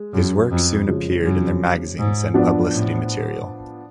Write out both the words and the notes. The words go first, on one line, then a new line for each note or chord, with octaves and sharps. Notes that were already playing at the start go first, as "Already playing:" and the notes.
His work soon appeared in their magazines and publicity material.
Already playing: G#3
F#2
F2
C#3 F3 G#3
F#2
G#2
F3 B3 D4
A2